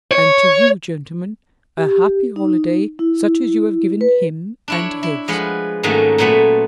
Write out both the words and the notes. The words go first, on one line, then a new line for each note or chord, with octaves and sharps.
And to you, gentlemen, a happy holiday such as you have given him and his!
C#5
G4
D#4
E4
B4
D4 E4 C#5
E4
F3 G#3 B4 F#5
G#2 D#3 F#3 A3 A#3 C#4
A#2 F#3 A3 B3